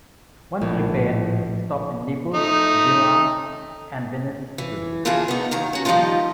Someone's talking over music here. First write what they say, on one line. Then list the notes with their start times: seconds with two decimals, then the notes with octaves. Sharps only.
Once repaired, it stopped in Naples, Genoa, and Venice, Italy.
0.61 A#1 A2
2.34 A3 D#4
4.58 E3
5.05 D3 E3 F3 A#3 F4 G#4
5.28 B3 D#4
5.51 D#2 D#3 A#5
5.73 C#4 F#4
5.85 D#3 F3 G3 D4 D#4 F4